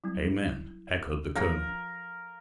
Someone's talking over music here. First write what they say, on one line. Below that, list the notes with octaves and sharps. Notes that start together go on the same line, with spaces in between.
"Amen!" echoed the colonel.
F#3 G3 C4 E4
F3 F4 A#4 F5